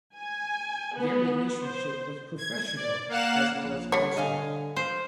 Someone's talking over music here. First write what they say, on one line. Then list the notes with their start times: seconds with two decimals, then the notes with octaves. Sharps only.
Their relationship was professional as well as personal.
0.15 G#5
0.96 B3
1.62 C5
2.38 G#6
2.77 D5
3.09 A#3 F5 F#5 F#6 E7
3.63 A#1
3.92 G3 C#5
4.17 D3 D#5 F5 G#5
4.76 F3 C5